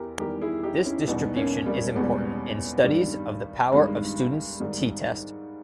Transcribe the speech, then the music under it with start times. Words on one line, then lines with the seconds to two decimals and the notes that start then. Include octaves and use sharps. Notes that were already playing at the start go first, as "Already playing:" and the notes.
This distribution is important in studies of the power of Student's "t"-test.
Already playing: E2 E4 G4 A#4
0.19 E2 D#3 G3 G4 A#4
0.41 E4 G#4
0.63 D#4 G4
0.85 C#4 E4
1.08 E2 B2 G3 B3 D#4
1.37 A#3 C#4
1.66 G3 A#3
1.96 E2 B2 G3 G#3 B3
2.84 G2 D#3 G3
3.72 G2 D#3 G3 G#3
4.60 G#2 D#3 G3